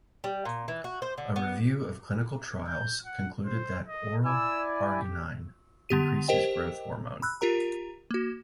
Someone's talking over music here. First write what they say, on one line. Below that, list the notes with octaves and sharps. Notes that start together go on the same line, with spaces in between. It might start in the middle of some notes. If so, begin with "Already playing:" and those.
A review of clinical trials concluded that oral arginine increases growth hormone.
G3
A#2
E3
F#4
C5
D3
B3
G6
F#5
C5
D#5
E4 D5 G#5 E6
G4
D3 B3 G4 D#7
G4 A#4 C5 D#5 G5
B5 E6 F#6
F4 G4 A#4 A#5
A#3 F#4